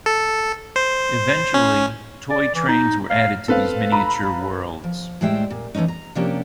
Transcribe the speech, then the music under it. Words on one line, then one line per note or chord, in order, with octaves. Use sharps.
Eventually, toy trains were added to these miniature worlds.
A4
C5
C#4
D5
E3
D#4
F5
C4 A4 B4 F5
A#5 B5
F3
A2 G3 G#3 C5 E5 G5
A#2
E3 A3 B3 C#4 D#4
A#5
C3 F3 A#3 C#4 D4 G4